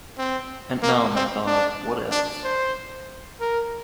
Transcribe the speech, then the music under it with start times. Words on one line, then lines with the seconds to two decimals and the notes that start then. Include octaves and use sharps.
And now, Mcdonald, what else?
0.18 C4
0.82 A#3
1.15 C4
1.46 D4
2.11 D4
2.44 C5
3.40 A#4